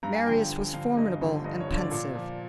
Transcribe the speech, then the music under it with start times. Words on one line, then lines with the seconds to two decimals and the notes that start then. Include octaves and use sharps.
Marius was formidable and pensive.
0.03 G2 A#5
0.15 G#5
0.26 D3 F3 G5
0.50 G2
0.73 D3 F3 F5
0.97 G2 D#5
1.21 D3 F3
1.44 G2 D#5
1.60 C#5
1.68 D3 F3
1.76 D5
1.91 A#2
2.15 F3